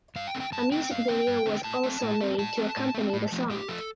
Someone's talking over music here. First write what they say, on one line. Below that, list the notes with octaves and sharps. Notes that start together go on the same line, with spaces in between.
A music video was also made to accompany the song.
G2 F5
G5
D3 A3 C4
G5
G2 A5
D3 A3 C4 G5
G2 F5
D3 A3 C4 G5
G2
D3 A3 C4
A2 A5
A3 C4
A2
A3 C4
A2 A5
A3 C4
A2
A3 C4
A2
F3 A3
A2 G4
F3 A3 A4